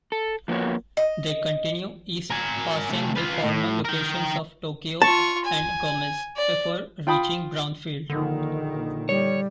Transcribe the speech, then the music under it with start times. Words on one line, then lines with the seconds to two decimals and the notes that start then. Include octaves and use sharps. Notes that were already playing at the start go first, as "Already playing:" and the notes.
They continue east passing the former locations of Tokio and Gomez before reaching Brownfield.
0.12 A4
0.48 F3 A#3 B3 F#4 C#5
0.97 D#5
2.30 A#4 G#5
2.90 C3 A3
3.16 F4 B4
3.43 A2
3.85 A#4 G5
5.02 F4 A5 C#6
5.44 G#5
6.36 D5
7.07 F4 G5 B5 D#6
8.10 A#1 D3 D#3
9.09 G3 C#5